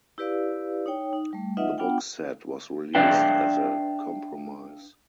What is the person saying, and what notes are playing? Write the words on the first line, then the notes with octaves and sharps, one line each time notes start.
The box set was released as a compromise.
E4 G4 B4 D5 F5
D#4 C#5 G5
D#4
G3 A3
D#4 F4 B4 D#5 E5 F#5
B3 D4 F4 F#5 G5
D4 B4 D5 E5 F5 G5